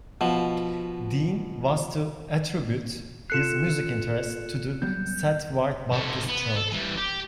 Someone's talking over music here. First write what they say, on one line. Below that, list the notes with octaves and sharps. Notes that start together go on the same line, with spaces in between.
Dean was to attribute his music interest to the Seth Ward Baptist Church.
B2 F3
F4 A4 F#6 C7 C#7 E7
F#3 G3 B3 G6
C3 A3
B3
A4
E3 G3
G4